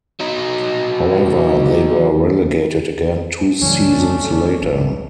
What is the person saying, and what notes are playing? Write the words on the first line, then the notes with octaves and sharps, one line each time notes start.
However, they were relegated again two seasons later.
F#3 D#4
C#2 G2 E3 F#3 A3 C#4 D4
G#1